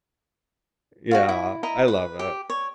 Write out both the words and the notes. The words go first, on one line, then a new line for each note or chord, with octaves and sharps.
Yeah, I love it.
F#4 C#5 F5
E4
E4 D#5 A#5
B4
G4
C#5